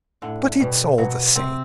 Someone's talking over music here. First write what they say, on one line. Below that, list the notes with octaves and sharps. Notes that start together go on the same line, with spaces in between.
But it's all the same.
A2 D3
B2 G3
B2 F#3
C3 C4